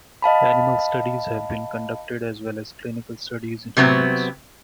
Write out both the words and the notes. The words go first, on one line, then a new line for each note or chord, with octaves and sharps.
Animal studies have been conducted as well as clinical studies in humans.
D#5 F5 A5 B5
C3 F#3 B3 C4